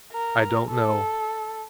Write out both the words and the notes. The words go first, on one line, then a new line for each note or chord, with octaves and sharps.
I don't know.
A#4
A4